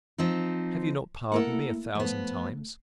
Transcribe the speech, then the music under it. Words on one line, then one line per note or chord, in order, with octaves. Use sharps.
Have you not pardoned me a thousand times?
F3 C4 D#4
A3 A#3 E4 A4 A#4 F#5
F3 A3 B3